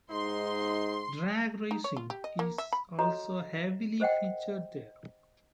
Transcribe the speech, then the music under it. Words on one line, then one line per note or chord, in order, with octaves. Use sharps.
Drag racing is also heavily featured there.
G#2 D#4 C6
D#4
C#5
F4
G4
D#5
A#3
E5
B5
F#4 A4 C#5 D#5 A#5
A#4 C5 D#5 F#5 G5